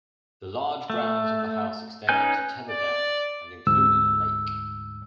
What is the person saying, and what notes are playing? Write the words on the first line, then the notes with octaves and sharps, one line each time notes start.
The large grounds of the house extended to Tetherdown and included a lake.
A3
C#4 D#4 B4 G#5 G6
D5
D2 G#2 E6